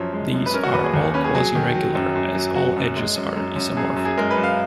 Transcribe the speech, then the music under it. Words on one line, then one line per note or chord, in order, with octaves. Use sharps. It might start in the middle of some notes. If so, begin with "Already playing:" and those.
These are all "quasi-regular" as all edges are isomorphic.
Already playing: F#2 F3 C#5
G#3
F#2
B4
C#4 A#4
F#4
D#2 B4
G#4
D#2
C#4 B4
G#4
F#3 G#4
D#3
F#3
F#2
F#2
F#3
F#3 F#4
F#2
G#3
F#2
F#2
F#2
F#2 G#4
F#2
G#4
G#3 A#4
B4
F#2
F5